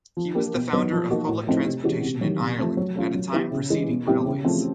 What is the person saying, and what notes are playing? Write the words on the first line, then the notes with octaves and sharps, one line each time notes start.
He was the founder of public transportation in Ireland, at a time preceding railways.
F3
A#3 D4 G4
B2
F#3 B3 D#4
F3
A#3 D#4 F#4
A2
F3 A3 C4 D#4
C3
E3 G#3 C#4 F#4
C3
D#3 F#3
C3
F3 A3 C4
F#3
A3 C#4 F4
F#3
B3 E4 G4
C#3
E3 G#3
B2
G3 C4 E4 G4
C#3
F3 A3 C4